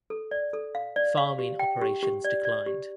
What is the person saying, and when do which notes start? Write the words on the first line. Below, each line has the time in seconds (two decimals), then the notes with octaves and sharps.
Farming operations declined.
0.10 A4
0.31 D5
0.53 A4
0.75 F5
0.96 D5
1.17 F5
1.39 G4
1.59 G5
1.81 G4
2.03 G4
2.24 D5
2.45 D5
2.66 G4